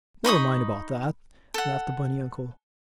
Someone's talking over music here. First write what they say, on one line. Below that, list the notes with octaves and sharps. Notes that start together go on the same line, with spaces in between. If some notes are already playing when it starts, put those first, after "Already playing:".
"Never mind about that," laughed the bunny uncle.
D#4 B5 C#6 D#6
A4 F#5